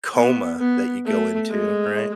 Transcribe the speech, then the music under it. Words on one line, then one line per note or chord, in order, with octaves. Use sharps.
coma that you go into, right?
B3
B3
A3
G#3